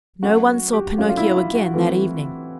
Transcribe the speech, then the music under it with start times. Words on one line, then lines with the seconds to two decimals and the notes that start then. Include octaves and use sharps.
No one saw Pinocchio again that evening.
0.22 F#3 A3 C#4 F#4
0.73 G4
0.98 F#3 A3 C#4 F4
1.09 F4
1.17 E4
1.36 F4
1.55 F#4
1.74 E3 A3 C4 F4